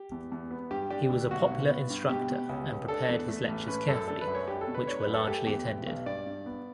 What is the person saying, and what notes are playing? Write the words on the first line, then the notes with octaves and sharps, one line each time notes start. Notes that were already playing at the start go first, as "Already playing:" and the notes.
He was a popular instructor and prepared his lectures carefully, which were largely attended.
Already playing: G4
E2
E2
B3
G2 G4
D4 G4
D2
B1 F#4
B1
B3
G2
B2 G4
B2
C#2
C#2
D4 A4
E2
A3
A1
C#4 B4
F#2 A4
D4 A4
B4
F#2
C#5
D4 G4
A4
B2
B4
D4 C#5
B4
F#2
A4
A3 G4
E2 G4
B1
B1
G2 D5
G2
B3